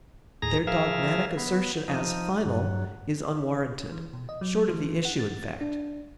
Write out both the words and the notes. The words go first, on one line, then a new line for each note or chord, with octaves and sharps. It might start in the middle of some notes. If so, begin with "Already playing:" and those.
Their dogmatic assertion as final is unwarranted, short of the issue, in fact.
D#2 A2 G#4 A#5 A#6
F3 G#4 A#4 E5 F5
B3
F3 D#4
G2 F#3
E3
B2
D#5
F#3
E3
F#5
A6
D4